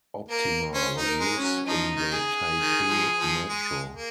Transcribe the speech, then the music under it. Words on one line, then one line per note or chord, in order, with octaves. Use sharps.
Optima was used in the Taipei Metro.
A#3 A#4
C#4 C5
D#4
A#4
G#3
C#4
F#3
F3 D#4
D#3
G#4
D#3
F3
F3
G#3
A#3